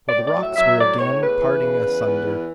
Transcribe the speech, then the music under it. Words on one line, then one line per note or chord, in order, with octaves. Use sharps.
For the rocks were again parting asunder.
D5
A2
D5
F#3
E5
F#3 E5
A2 D5
A2 C#5
E2 B4
E3
C#3
E2
E2
E3